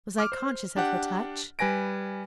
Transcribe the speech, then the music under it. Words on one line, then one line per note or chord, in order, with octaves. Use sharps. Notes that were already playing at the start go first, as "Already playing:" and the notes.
Was I conscious of her touch?
D6 F6
C5
D4 G4 F#5
G3 B4 G#5 A#6 D7